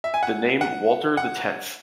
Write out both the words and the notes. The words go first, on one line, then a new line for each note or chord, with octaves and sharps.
The name Walter the Tenth.
E5
G#5
F#5
F#5
F#5